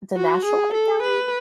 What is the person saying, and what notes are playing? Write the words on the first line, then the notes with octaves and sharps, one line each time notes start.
the National Art Gallery?
F#4
G#4
A4
B4